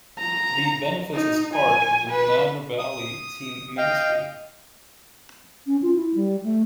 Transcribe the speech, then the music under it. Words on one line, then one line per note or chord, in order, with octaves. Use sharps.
The benefice is part of the Nadder Valley team ministry.
A#5
D#4
G#5
B4
D#6
D#5 F5 G5
C#4
F4
E4
G3
A3